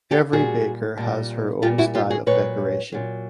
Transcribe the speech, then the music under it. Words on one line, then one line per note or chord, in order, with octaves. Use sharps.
Every baker has her own style of decoration.
G4 A4
A#2 G3 F#4 G#4
A#2 G3
A#2 G3 F4 G4
E4 F#4
F4 G4
F#4 G#4
A#2 F#3 B4 C#5
A#2 F#3